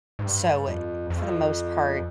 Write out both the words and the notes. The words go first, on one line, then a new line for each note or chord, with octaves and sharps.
So, for the most part,
G#2
G2
F2
F2